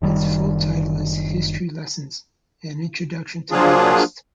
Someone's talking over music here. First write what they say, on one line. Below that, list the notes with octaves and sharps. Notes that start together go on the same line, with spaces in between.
Its full title is "History Lessens - An Introduction to the Artist".
F#1 D#3 G3
F3 F#3 A#3 D4 F4 G#4